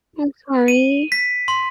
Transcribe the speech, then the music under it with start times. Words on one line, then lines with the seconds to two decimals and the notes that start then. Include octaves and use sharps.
I'm sorry.
0.68 D#7
1.12 B6
1.48 C6